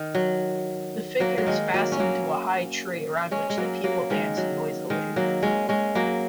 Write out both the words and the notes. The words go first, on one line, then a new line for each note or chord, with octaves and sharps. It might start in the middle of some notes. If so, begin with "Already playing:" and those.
The figure is fastened to a high tree around which the people dance noisily.
Already playing: D#3
F#3
F#3 A#3
F#3
D#3 G#3
F#3 A#3
C#4
F#3 A#3
G#3 C#4
G#3
F#3 A#3
F#3 A#3
D#3 G#3
F#3
D#3 G#3
F#3 A#3
G#3 C#4
G#3 C#4
F#3 A#3